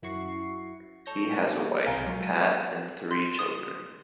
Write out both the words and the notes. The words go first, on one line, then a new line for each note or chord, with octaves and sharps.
He has a wife, Pat, and three children.
F#2 E4 F#4 C#6 C7
A4 C#5 G6 A#6
A#3
B1 C3 F5 G#5 A#5 G6
F#3 G#3 A#3 F4
C6
D#6